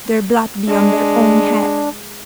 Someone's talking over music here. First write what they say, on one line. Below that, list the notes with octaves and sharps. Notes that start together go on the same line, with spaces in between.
Their blood be on their own head!
G#3 D4